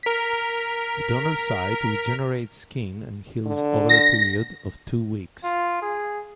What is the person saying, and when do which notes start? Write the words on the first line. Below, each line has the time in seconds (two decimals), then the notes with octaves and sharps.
The donor site regenerates skin and heals over a period of two weeks.
0.03 A#4 B6
3.46 D3
3.89 A#6
5.43 F4
5.82 G#4